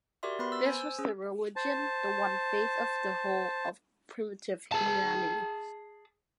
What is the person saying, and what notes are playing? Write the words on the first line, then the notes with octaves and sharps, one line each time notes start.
This was the religion, the One Faith of the whole of primitive humanity.
F#4 G4 A#4 D5 E5 C6
B3 B4 B5 C6
E6 A6
C5 G#5
E6
C#4 G#4
C5 A5
G#4 A5